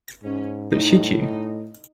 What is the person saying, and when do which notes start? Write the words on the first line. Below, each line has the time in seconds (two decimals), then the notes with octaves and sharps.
But should you?
0.23 G#2 C#4
0.71 A2 D#4
1.19 D#4